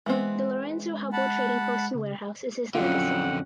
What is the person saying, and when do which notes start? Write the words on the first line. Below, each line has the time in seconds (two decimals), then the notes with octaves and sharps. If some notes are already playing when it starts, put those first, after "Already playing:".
The Lorenzo Hubbell Trading Post and Warehouse is his legacy.
0.06 E3 G#3 B3 C4
1.13 F#5 A5 B5
1.94 C#3
2.75 F2 D3 F#3 C#4 F4 F#5 G5